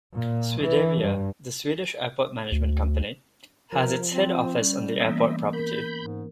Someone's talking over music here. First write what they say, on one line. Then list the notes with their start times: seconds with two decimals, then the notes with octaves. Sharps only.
Swedavia, the Swedish airport management company, has its head office on the airport property.
0.15 A#2
0.62 E3
1.01 G2
2.52 D2
3.72 F3 A#4
4.11 C4
4.60 G3 C#4
5.00 E3 A#3 B3 D#5 E5
5.53 A#4 B5 G6
6.01 G#2